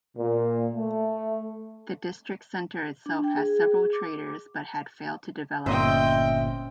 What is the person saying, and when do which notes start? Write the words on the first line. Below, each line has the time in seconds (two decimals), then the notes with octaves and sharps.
The District Centre itself has several traders but had failed to develop.
0.17 A#2
0.76 A3
3.06 D4
3.24 G5
3.37 G#4
3.93 D6
5.66 G1 A#2 C4 C#4 C5 D#5 E5 G5